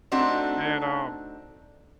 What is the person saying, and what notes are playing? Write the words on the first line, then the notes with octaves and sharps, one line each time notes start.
and, um,
A3 C4 D4 D#4 F#4